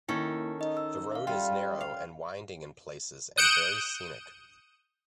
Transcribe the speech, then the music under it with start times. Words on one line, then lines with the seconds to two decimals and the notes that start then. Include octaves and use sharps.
The road is narrow and winding in places and very scenic.
0.09 D#3 A#3 C#4 E4 A4
0.61 D#4 D#5
0.77 E6
1.12 E5 F5
1.27 G3 F4 G5
1.80 F5
3.37 D#6 F#6 G6 C#7 D7 E7